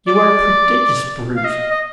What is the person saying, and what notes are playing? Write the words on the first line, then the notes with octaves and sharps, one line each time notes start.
You are a prodigious brute.
D5
F5
D#5
D#5